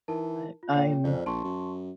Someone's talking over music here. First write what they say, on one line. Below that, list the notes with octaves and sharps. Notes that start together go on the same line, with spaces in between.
But I'm
E3 D#4 A#4 A5
F4
A#2 C#5 G5
F2 C5 D5
A#1 A5 C6 C#6
F#2